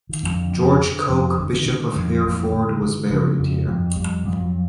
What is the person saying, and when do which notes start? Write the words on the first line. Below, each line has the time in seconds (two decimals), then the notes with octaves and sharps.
George Coke, Bishop of Hereford, was buried here.
0.09 D#3
0.23 F2
0.30 D3
0.52 F2
0.80 D3
1.09 F2
1.38 D3 D#3
1.47 E3
1.55 D#3
1.66 D3
1.96 F2
2.15 F3
2.24 F2 E3
2.52 D3
2.82 D3
3.10 C#3 F3
3.39 F2
3.67 F2
3.96 F2 G3
4.25 F2
4.39 F#3